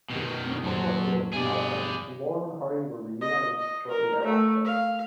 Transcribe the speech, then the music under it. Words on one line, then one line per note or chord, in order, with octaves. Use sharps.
The dispute was short-lived, however, and Laurel and Hardy were reunited shortly thereafter.
B2 D#3
D#1 F#2 F#3 C5 A5
G2 B2 G#4 D5
D#5
D#5
A#4
A3
F5